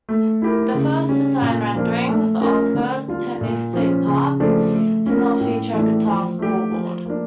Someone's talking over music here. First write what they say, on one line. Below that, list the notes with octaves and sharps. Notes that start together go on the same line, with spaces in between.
The first design renderings of First Tennessee Park did not feature a guitar scoreboard.
A3
E4 G4 A#4
C#3
G3 C#4
A#2
F3 A#3 D4
A3
C#4 F4 A#4
D3
G3 D4 F4
A#2
F3 C#4
C#3
F3 A3 D4 A4
A3
C#4 F4 A#4
A2
E3 A3 D4
F3
A3 D4 G4
F3
A#3 D4